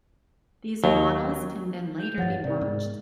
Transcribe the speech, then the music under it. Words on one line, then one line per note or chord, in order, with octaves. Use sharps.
These models can then later be merged.
D#2 F#3
G6 F7
G2 F3 C#5 F#5 A6
C3 A#4 D5
G#2